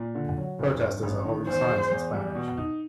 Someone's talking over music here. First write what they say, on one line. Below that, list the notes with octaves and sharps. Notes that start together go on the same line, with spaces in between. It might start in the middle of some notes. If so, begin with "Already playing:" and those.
Protesters are holding signs in Spanish.
Already playing: A#2
D3
F#3
F1
G2
A1
D#3
E2 C5
G#3
E2
G3
B2
D#4